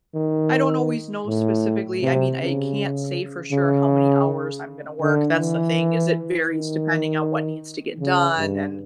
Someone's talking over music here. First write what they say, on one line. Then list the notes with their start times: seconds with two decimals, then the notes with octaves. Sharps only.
I don't always know specifically. I mean, I can't say for sure how many hours I'm gonna work, that's the thing, is it varies depending on what needs to get done, and,
0.15 D#3
1.27 A2
2.02 C3
2.39 C#3
3.52 C#3
5.01 D3
5.39 E3
6.51 D#3
8.00 C#3
8.38 G2